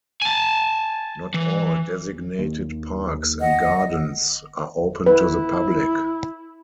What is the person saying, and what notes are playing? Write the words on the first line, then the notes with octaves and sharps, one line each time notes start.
Not all designated parks and gardens are open to the public.
G#5 A5
E3
D#2
D#5 F#5
E4 B4